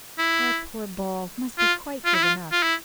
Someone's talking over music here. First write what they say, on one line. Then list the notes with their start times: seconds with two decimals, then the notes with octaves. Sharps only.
"Our poor ball must be quite given up."
0.18 E4
1.59 F4
2.05 F4
2.14 E4
2.24 F4
2.52 F4
2.63 E4